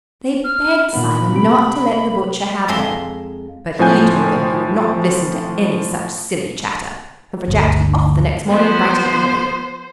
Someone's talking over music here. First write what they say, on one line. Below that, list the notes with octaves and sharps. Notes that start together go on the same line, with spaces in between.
They begged Simon not to let the butcher have her, but he told them he would not listen to any such silly chatter and for Jack to be off the next morning bright and early.
F6
A#2 D#3 B3 B5
C3 D7
F2 G#3 E5 A#5 C6
A2 F3 C4 G#5 G6
G1 D2
F3 B3 C5